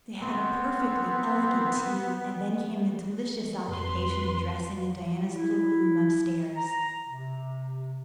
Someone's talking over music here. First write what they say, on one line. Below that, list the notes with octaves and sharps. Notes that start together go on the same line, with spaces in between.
They had a "perfectly elegant tea;" and then came the delicious occupation of dressing in Diana's little room upstairs.
B3 C4
F2 B4 C6
E4
A#5
C3